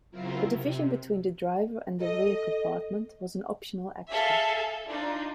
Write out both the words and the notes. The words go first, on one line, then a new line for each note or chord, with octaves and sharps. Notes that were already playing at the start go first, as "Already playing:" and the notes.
A division between the driver and the rear compartment was an optional extra.
C#3 F#3 C4 E4 F4 A#4
C3
A4 D#5
G#4 A4 E5 F5
A4
D4 D#4 F4